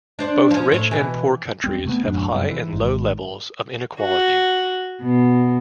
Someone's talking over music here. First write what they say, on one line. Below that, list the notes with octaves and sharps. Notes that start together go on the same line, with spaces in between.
But both rich and poor countries have high and low levels of inequality.
D4 C5 D5
F3 C#4
A2 C#5
B2 E3
E2 G3 C4
C3 A3 B3
D#1 F#2 A2 D4
F#2 C3 G3
E3
G#1 G#2
F#4
B2